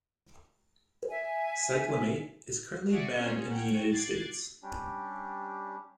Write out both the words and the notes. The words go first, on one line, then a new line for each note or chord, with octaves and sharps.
Cyclamate is currently banned in the United States.
E5 G#5
F#4 G#4 D5 E5 F#5 C#6
C4 C#4 D#4 F4 G#4
C#5 F#5 G5
D6 F#6 G#6 A6 C7
G3 C#4 D4 G4